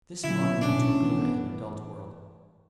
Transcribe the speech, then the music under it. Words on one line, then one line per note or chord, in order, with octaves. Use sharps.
This modern Utopia is an adult world.
D3 F#3 C#4 E4
B2 A3 C#4 D4
E3 B3